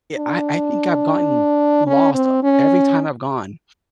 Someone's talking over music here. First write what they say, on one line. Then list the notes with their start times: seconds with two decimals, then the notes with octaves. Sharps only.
i I think I've gotten lost every time I've gone,
0.17 D4
1.87 C#4
2.14 C4
2.43 C#4